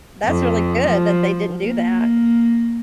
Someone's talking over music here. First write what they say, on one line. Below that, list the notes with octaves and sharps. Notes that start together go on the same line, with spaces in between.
That's really good that they didn't do that.
F2
F3
A#3